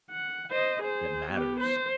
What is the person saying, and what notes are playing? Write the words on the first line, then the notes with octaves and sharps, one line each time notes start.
that matters.
F#5
C5 D#5
G#4 C5
B3 G4
C5